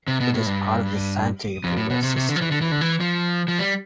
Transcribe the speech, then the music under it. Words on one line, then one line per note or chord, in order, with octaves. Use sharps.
It is part of the Santee River System.
C3
B2
A2
G2
F2
A2
B2
C3
C3
D3
F3
E3
D3
E3
D3
E3
F3
F3
G3